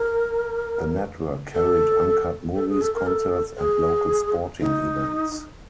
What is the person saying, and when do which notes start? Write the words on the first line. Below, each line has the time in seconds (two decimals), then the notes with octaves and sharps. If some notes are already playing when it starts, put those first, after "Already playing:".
The network carried uncut movies, concerts and local sporting events.
Already playing: A#4
1.54 A4
2.55 A4
2.69 G#4
2.81 A4
2.94 A#4
3.06 A4
3.58 G#4
4.60 D#4